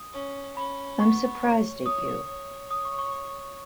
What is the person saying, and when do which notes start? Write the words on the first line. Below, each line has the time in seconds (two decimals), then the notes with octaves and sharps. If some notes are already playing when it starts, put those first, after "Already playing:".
I'm surprised at you.
Already playing: D#6
0.14 C#4
0.57 C#4 B5
1.00 B3 C#6
1.42 C#5
1.85 C#5 D#6
2.28 C#5
2.71 D#6
2.85 C#6
2.99 C#6